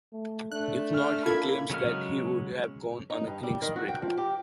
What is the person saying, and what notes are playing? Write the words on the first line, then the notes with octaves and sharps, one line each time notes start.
If not, he claims that he would have gone on a killing spree.
A3
A3 D4 F#6
F6
A#3 E4 F4 A4 B5 G#6
C#3 F#3 G#3 F6
D#4
G2
G3
D#3
F#4
G5
F3
G4